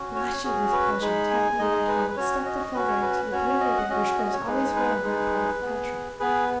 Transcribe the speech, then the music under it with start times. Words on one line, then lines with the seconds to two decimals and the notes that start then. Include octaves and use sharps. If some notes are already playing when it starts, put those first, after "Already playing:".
Blushing with pleasure Tephany went home and stuck the feather into the blue ribbon which girls always wear in that part of the country.
Already playing: C#4 F#4
0.15 C#5
0.44 C#4 F#4 G#4
0.72 B4
1.01 G#3 D#4 G#4 B5
1.31 G#5
1.59 G#3 D#4 G#4 D#5
1.88 B4
2.10 B4
2.17 C#4 F#4 C#5
2.45 D#5
2.74 C#4 F#4 B4
2.88 C#5
3.02 B4
3.32 C#4 F#4 C#5
3.49 C#5
3.60 D#5
3.78 F#5
3.90 C#4 F#4 D#5
4.18 D#5
4.33 C#5
4.47 G#3 D#4 G#4 B4
4.76 B4
5.04 G#3 D#4 G#4
5.61 B3 G#4
6.19 B3 G#4 B4